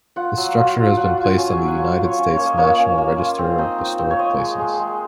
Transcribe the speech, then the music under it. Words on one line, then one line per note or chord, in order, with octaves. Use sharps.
This structure has been placed on the United States National Register of Historic Places.
F4 F#5
F#3
F4
F4
F#3 F#5
F4
G#5
C#4
G#5
F#3
F#5
F4 G#5
F4
C#5
C#4
C#5
A#3
D#5
A#3 C#5
C#4
A#3
F4
C4
D#4
C4
C4
C#5
C4 D#5
G#3
G#3
G#3